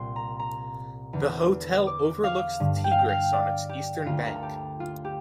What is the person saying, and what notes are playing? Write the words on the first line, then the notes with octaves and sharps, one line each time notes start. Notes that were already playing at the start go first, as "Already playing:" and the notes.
The hotel overlooks the Tigris on its eastern bank.
Already playing: C2 A#2 C6
A#5
A#5
E2 D3
D6
F5
G2 D3
G5
F5
G5
F5
D5
G4
G4
D2 D3 F4
A#4
A4
G4
F4
G4